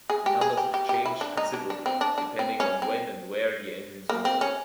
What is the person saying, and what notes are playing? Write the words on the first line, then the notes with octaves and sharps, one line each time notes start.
The numbers have changed considerably, depending on when and where the engines were sold.
G#4
G4
G#4
G4
G4
G4
E4
D4
D#4
D4
D4
C4
D4
D4
C4
C#4
C4
A#3
C4
C#4